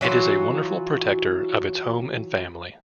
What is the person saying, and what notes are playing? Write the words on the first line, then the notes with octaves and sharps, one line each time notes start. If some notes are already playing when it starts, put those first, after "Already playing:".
It is a wonderful protector of its home and family.
E3 F#3 F4 F#4